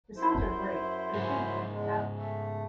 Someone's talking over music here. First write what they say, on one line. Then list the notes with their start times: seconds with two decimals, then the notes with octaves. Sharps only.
The songs were great but it didn't make me happy.
0.16 F#2 E4 C5
1.14 G#2 C#3
1.74 E2 G#3
2.17 A3